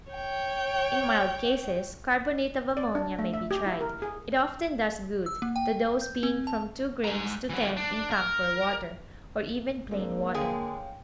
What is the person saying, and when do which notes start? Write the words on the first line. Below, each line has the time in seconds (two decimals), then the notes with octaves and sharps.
In mild cases carbonate of ammonia may be tried; it often does good, the dose being from two grains to ten in camphor water, or even plain water.
0.12 C#5 G5
2.77 D5
2.95 D4
3.19 A3
3.33 E5
3.51 G4
3.66 E4
3.81 A#4
4.02 G#4
5.26 E6
5.42 A#3
5.56 G5
6.01 G6
6.23 C4
6.47 A5
7.04 G#3 A#5
7.50 E3 F#3
7.77 D4
8.11 A#4
9.91 G#3 A#3 C4 D4
10.34 D3 G#3 G#4 C#5 F5 G5